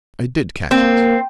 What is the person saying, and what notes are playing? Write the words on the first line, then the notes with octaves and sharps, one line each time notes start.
I did catch it.
A#3 C4